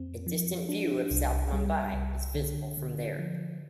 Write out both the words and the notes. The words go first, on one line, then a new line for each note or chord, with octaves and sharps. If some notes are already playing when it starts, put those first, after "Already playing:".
A distant view of South Mumbai is visible from there.
Already playing: F2 C4
F3
D4
C2
G3
C2
D3
D3
F3